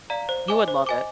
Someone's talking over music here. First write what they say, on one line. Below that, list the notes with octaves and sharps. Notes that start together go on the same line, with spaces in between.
You would love it.
D5 F5 A#5
C5
D#5 G#5 D6
C5
D#5 G#5 D6